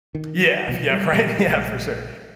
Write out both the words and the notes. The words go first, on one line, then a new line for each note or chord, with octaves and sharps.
Yeah, yeah, right, yeah, for sure,
D#3
C2 B2 D3 F3
F#3 G3
A#2 F#3 G3
A#1 A3